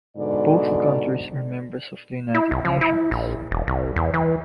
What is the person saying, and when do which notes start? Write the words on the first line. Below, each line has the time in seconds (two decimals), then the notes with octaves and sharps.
Both countries are members of the United Nations.
0.17 G#2 B2 D3 D5
2.35 E4
2.51 C2
2.65 F3
2.81 E4
3.11 A#1
3.51 E1
3.67 C2
3.96 E2
4.14 E3